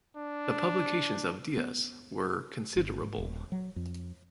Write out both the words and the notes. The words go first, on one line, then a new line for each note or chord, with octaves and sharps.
The publications of Dias were considerable.
D4
B3
G1
G#2
D#1
F#3
F2